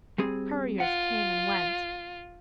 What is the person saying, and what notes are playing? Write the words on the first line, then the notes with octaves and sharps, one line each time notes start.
Couriers came and went.
G3 C4 G#4
F4 F#5